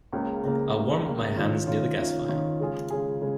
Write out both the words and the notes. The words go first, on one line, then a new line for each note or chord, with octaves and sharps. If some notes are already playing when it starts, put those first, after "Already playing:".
I warmed my hands near the gas fire.
C#2 C#3 A#3
C#2 C#3 A#3
C#2 C#3 A#3
C#2 C#3 A#3
D#3 C#4 F4
D#3 C#4 F4
D#3 C#4 F4
D#3 C#4 F4
C#3 G#3 F4 G#4
C#3 G#3 F4 G#4
C#3 G#3